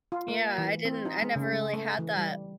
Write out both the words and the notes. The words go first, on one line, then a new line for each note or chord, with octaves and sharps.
yeah, I didn't I never really had that.
F4
A#3
E3
C4
D#4
G#3
C#3
G#3
A3
E3
G3